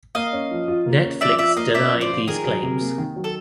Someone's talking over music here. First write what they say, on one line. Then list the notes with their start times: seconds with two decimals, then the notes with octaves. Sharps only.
Netflix denied these claims.
0.15 A#3 D#5 F5
0.33 C#4
0.51 F3
0.68 F4
0.86 A#3
1.04 C#4
1.21 F3 D5 E5
1.38 F4 D5 E5
1.56 A#3 D#5 F5
1.74 C#4 D5 E5
1.93 F3
2.01 C5 D5
2.10 F4
2.27 D#3 G#4 A#4
2.45 F#3
2.63 C3
2.81 A#3
2.98 D#3
3.16 F#3
3.24 A4